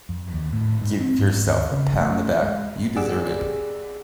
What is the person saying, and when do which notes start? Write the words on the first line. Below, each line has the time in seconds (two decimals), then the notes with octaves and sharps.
Give yourself a pat on the back, you deserve it.
0.09 F2
0.33 D#2
0.53 A2
0.81 G#2
1.00 C4
1.19 G#2
1.46 D#2
1.71 C#3
2.00 A3
2.41 G#3
2.96 G4 G#4 D5 F#5 D6 E6